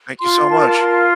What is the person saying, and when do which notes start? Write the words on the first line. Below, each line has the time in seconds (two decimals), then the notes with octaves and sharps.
Thank you so much.
0.21 F4 C6
0.49 A#4 A5
0.67 D6
0.78 F4 C6